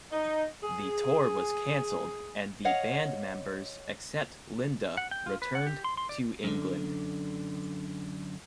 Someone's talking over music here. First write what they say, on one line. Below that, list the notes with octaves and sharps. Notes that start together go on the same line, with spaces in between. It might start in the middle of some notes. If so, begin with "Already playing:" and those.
The tour was cancelled and the band members, except Linda, returned to England.
D#4
G#4
C#5 D#5 F5 F#5
F#5
G5
F4
B4
F#5
G4
C6
C6
D5
F#2 D3